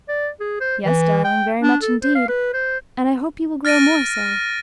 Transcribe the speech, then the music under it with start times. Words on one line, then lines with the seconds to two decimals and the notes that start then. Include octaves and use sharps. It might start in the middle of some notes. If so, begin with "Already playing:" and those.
"Yes, darling, very much indeed, and I hope you will grow more so."
0.08 D5
0.40 G#4
0.60 C5
0.85 E3
1.24 G5
1.62 D4
1.82 A4
2.02 C5
2.15 F5
2.28 B4
2.53 C5
3.65 F6 A6 A#6 D7 D#7